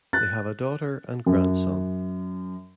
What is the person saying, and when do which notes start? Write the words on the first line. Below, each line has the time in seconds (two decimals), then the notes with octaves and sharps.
They have a daughter and grandson.
0.13 F#6 A6
1.27 F#2